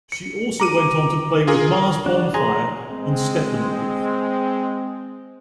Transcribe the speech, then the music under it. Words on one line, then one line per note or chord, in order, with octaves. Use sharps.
She also went on to play with Mars Bonfire and Steppenwolf.
C#7
A#5 D6 D#7
F4 G#4 A#4
D4 F#4
G#4 A#5 C6
G#3 C4